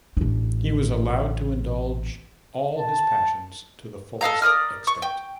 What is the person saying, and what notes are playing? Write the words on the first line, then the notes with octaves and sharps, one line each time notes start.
He was allowed to indulge all his passions to the fullest extent.
A1 D4
A5
A4 D#5 F5 A#5
A#4 D5 D#6 F6
C#6
G5